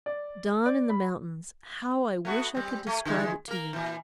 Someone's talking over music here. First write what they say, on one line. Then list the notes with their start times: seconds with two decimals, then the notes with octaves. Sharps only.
Dawn in the mountains--how I wish I could describe it to you!
0.06 D5
0.66 D5
0.90 B5
2.25 A3 B3 F#4
2.55 G3 C4
2.87 A3
3.05 D3 E3 G#3
3.48 A#3 A#4
3.73 A#2 E3